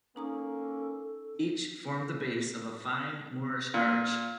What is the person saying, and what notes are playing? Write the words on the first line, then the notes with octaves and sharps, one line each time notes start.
Each formed the base of a fine Moorish Arch.
A#3 C#4 D#4 A4 A#5 D#6
A#2